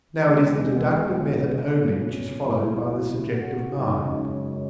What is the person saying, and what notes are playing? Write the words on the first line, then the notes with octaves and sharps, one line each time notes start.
Now it is the deductive method only which is followed by the subjective mind.
E2 B2 G#3
B3
B3
A#3
C#2 B2 F#3 C#4
E4
F#4
F#2 C#3 G#3 D#4
C#4